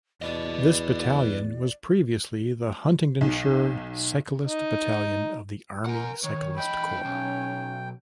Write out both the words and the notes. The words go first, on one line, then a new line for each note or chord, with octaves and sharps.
This battalion was previously the Huntingdonshire Cyclist Battalion of the Army Cyclist Corps.
E2 B4 D5 D#5
B1
D#4
A#4 F#5 G#5
D#3 C#5
E3 D#5 G5 B5
B1 C#4